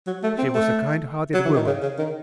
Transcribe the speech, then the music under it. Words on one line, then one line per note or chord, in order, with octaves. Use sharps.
She was a kind-hearted woman.
F#3
A3
C4
A3
F#3
E3
D#3
C#3
C#3
D#3